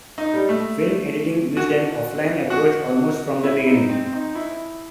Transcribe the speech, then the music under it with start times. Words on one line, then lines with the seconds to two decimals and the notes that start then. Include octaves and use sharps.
Film editing used an offline approach almost from the beginning.
0.18 D#4
0.34 G3
0.49 A3
1.57 F#4
2.50 F#4
3.43 E4
3.66 D#4
3.89 C4
4.13 D#4
4.35 E4